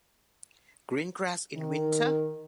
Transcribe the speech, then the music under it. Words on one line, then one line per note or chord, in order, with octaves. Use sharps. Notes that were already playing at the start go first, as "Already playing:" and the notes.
Green grass in winter?
D#3